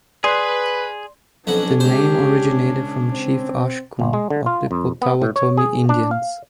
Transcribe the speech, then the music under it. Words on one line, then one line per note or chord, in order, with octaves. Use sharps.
The name originated from Chief Ashkum of the Potawatomi Indians.
G#4 B4 D5 C6 C7
B1 F2 C#4 D4 F#4
C#2 G4 C5
C4
G1
G#3
D3
F4
F2
B3
A2
C#5
G#4
D4
F5